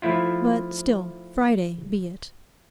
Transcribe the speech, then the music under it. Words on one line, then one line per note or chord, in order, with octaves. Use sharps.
But still, Friday be it.
F3 A3 E4 F4